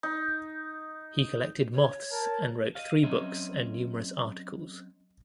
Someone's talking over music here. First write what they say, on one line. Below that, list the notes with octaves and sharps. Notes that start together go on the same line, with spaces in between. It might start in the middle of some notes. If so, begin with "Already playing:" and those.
He collected moths and wrote three books and numerous articles.
D#4
C#5
A#4 A5
D#5 F5
F#3 C4 C#4 D#5 E5